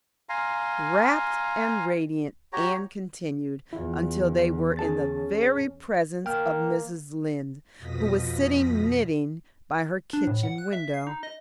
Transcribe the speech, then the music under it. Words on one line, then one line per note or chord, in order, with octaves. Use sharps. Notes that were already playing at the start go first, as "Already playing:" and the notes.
Rapt and radiant Anne continued until they were in the very presence of Mrs. Lynde, who was sitting knitting by her kitchen window.
F5 G#5 A#5 C6
F#4 G4 C#5 A#5
E2 E4 F4
C#4 G#4 A5 A6
A#3 G5 F6
F2 B2 F3 D#6 A#6 B6
D4
A2
F#5
F#6
E5
C7
D#4
D#5